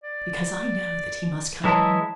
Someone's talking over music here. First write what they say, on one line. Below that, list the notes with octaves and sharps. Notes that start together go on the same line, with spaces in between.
"Because I know that he must come."
D5
E3 F#3 G#3 E4 C#5 A5 A#5